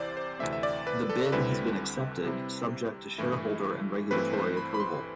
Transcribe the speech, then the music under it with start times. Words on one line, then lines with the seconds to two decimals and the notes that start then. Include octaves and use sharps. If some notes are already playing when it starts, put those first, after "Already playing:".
The bid has been accepted subject to shareholder and regulatory approval.
Already playing: C2 C3 E3 C5 D5
0.17 C5
0.39 D2 C3 E3 A3 C4 E5
0.53 E5
0.63 D5
0.87 B4
1.09 A4
1.32 D2 D3 G3 C4 E4 B4
2.25 C3 G3 C4 E4
3.18 G2 E3 A3 E4
4.11 G2 E3 A3 C4 E4 B4
4.33 C5
4.57 B5
4.74 B5
4.80 C6